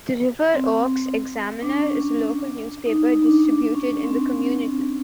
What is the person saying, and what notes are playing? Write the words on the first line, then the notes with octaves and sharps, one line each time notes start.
The "River Oaks Examiner" is a local newspaper distributed in the community.
C4
D4
C#4
D#4
D#4
D4
D4
C#4
C4